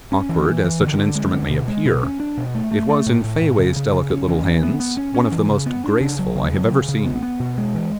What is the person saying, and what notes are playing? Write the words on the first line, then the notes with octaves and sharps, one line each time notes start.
Awkward as such an instrument may appear, it was, in Fayaway's delicate little hands, one of the most graceful I have ever seen.
C#4
E3
E3
E3
D3
D3
G#3
D3
B2
G#3
B2
C#4
D4
B2
A3
A3
A3
A2
A2
A2
C#3
C#3
C#3
C#4
E3
E3
B3
B3
C#4
C#4
E3
C#3
B3
D4
C#3
F#3
C#3
F#3
C#3
C#3
B3
B3
B2
G#3
E3